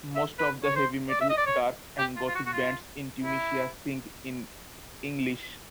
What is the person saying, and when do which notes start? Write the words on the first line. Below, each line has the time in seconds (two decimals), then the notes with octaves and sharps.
Most of the heavy metal, dark and Gothic bands in Tunisia sing in English.
0.16 E5
0.39 B4
0.64 C#5
0.76 C5
1.10 D5
1.21 E5
1.30 D#5
1.38 D5
1.47 C#5
1.99 G4
2.17 F4
2.28 F4
2.35 F#4
2.46 F#4
2.53 F4
3.24 E4